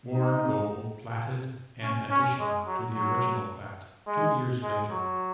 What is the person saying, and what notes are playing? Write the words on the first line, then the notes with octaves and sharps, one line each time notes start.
Warren Goble platted an addition to the original plat two years later.
D#4
C#4
C#4
G#3
F#3
F#3
G#3
G#3
F#3